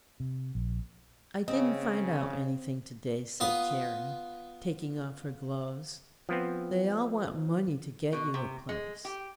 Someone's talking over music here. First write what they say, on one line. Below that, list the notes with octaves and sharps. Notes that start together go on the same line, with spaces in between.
"I didn't find out anything to-day," said Carrie, taking off her gloves. "They all want money to get you a place."
C3
A#1
C#3 C4 D#5
B3 F4 B4 D#6
F3 B3 C4
B2
C3
G#3
G4